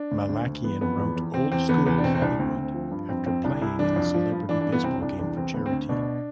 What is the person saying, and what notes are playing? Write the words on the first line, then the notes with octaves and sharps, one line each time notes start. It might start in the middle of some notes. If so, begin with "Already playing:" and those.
Malakian wrote "Old School Hollywood" after playing in a celebrity baseball game for charity.
Already playing: D4
D2
D2
D2
E3 B3
F2 B3
E2
E2
E2 C4
E2 C4
E2 B3
E2 B3
D4
B2 C4
C4
C2 D4
D2 C4
D2
F3
G2
F2 C4
F2 C4
C2 D4
C2 E4
E3 D4
F2
F3
G2
E3 D4
D4
G2
B3
C2 C4
C2 D4
E2 D4
E2 C4
D2 B3
C4
D2
B2 D4